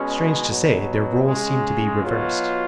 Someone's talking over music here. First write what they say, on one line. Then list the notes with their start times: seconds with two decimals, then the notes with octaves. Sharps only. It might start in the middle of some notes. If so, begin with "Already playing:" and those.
Strange to say, their roles seemed to be reversed.
Already playing: B2 G#3 C#4
0.47 B2 F#3
1.25 C#3 G#3
2.03 B2 F#3 F4